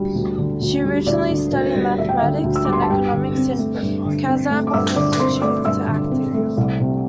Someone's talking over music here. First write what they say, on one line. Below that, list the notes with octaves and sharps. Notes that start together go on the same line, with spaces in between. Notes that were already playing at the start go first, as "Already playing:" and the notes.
She originally studied mathematics and economics in Kazan before switching to acting.
Already playing: D2 G3
D2
D3
D2
G3
D2 D5
D3
D2
G3
D2 E5
G5
D3 E5
D2
E6
G3 D6
C6
A5
G2 G4 G5
D3
C4
A3
G2
D3
C4
A3
D6
G2 E5 E6
D3 D5 D6
D6
C4 C5 C6
A3 D5 D6
G2 E5 E6
D3
C4
A3
C2
C3